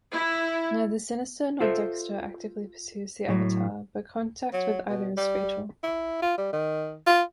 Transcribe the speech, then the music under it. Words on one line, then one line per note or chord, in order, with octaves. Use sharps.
Neither Sinister nor Dexter actively pursues the avatar, but contact with either is fatal.
E4
F4 A4 C5 E5
A2 F#3
F#3
B2
G3
E4
F4
G3
D#3
F4